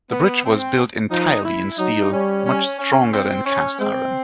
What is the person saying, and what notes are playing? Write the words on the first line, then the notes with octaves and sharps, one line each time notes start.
The bridge was built entirely in steel, much stronger than cast iron.
B3
C4
F3 D#4
E4
F#3 D#4
G3 C#4
C#4
C#4
C4
C#4
G#3 C4